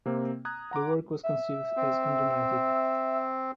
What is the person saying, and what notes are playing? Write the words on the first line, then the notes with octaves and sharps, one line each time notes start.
The work was conceived as undramatic.
C3 A#3 C4
A#5 D#6 F#6 G#6
F#5 A#5 C6 D6
E5
C4